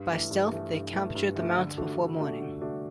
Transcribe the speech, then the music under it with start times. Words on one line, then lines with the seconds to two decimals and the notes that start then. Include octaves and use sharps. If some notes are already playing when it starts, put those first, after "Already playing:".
By stealth, they captured the mounts before morning.
Already playing: G2
0.10 E3 A3
0.31 G2
0.52 E3 A3
0.72 G2
0.93 E3 A3
1.15 G2
1.36 E3 A3
1.57 D3
1.77 A3 D4 F#4 A4
1.98 D3
2.19 A3 D4 F#4 A4
2.40 D3
2.61 A3 D4 F#4 A4